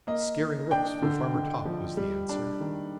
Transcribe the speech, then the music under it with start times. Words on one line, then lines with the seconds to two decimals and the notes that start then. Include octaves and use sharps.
'Scaring rooks for Farmer Topp,' was the answer.
0.07 A#3 D#5
0.39 A#3
0.71 D4 G5
1.02 D3
1.35 D3
1.65 F3
1.97 G3
2.29 D4
2.60 D#3